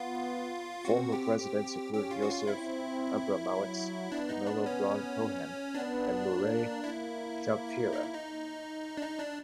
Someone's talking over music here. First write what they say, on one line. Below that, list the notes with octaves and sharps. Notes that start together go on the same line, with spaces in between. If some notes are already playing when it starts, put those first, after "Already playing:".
Former presidents include Yosef Abramowitz, Pamela Braun Cohen, and Morey Schapira.
Already playing: B3 F4
C4 F#4
G4
C4 G4
C#4 G4
F4
F#4
F4
C4 E4
F#3
B3 D4
D#4
D4
C#4
B3 D4
A#3
A#3 E4
D#4
E4
D#4
D4
D#4
D4